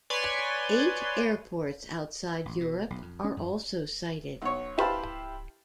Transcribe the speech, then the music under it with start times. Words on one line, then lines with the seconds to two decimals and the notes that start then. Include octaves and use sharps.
Eight airports outside Europe are also cited.
0.10 B4 C#5 D5 G#5 C6
2.45 A1
2.60 B2
2.90 B1
3.02 F2
3.24 C#4
3.37 F#2
4.42 B1 C#5
4.78 E4 G4 B4 C5 F5 A5